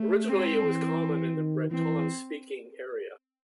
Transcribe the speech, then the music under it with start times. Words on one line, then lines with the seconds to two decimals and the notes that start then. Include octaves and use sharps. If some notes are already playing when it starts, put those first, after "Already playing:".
Originally, it was common in the Breton-speaking area.
Already playing: A3
0.28 G#3 C4
0.64 E3
1.35 D#3
1.71 E3 C4